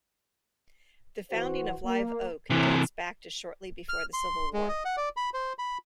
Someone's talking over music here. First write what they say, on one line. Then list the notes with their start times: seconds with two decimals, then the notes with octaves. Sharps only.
The founding of Live Oak dates back to shortly before the Civil War.
1.31 E3 F#4 C5
1.84 A#3
2.50 A2 C3 E3
3.89 F6
4.13 C6
4.53 G#3
4.68 D#5
4.85 F#5
4.97 D5
5.17 B5
5.34 C5
5.59 B5